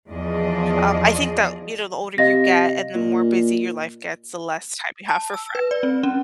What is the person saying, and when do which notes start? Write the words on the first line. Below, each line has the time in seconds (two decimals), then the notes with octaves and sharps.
um, I think that, you know, the older you get and the more busy your life gets, the less time you have for friend.
0.10 E2 F3 G#4 D5 D#5
2.18 C3 D#5 F5 A#6
2.95 A#2
5.08 A5
5.34 E6
5.55 B4
5.71 D5
5.83 C4
6.03 C#4